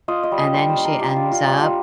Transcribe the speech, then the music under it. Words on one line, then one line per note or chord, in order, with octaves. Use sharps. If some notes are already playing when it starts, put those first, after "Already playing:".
and then she ends up
F4 D#5
D#5
G3
D#5
G3 C5
C5
D4
A#4
F4 G4
F4
G3
F4
G3 G4
F4